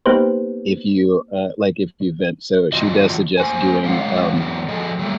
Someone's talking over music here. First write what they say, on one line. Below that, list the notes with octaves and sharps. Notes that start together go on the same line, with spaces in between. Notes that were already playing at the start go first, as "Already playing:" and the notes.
if you, uh, like, if you vent, so she does suggest doing, um,
A#3 B3 D#4 G4 B4 C5
E3 F4 F#4 D#5
A#3 C5 G#5
G#3 C4 C#4 F5 F#5
E3 F#3 B3
F3 F#4 G#4 A4 D#5
F#3 G3 A3 A#3